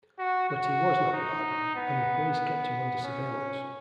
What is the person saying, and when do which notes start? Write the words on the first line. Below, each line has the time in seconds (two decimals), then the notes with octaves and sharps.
But he was not pardoned, and the police kept him under surveillance.
0.18 F#4
0.49 F#4
1.12 D#4
1.75 B3
3.03 C#4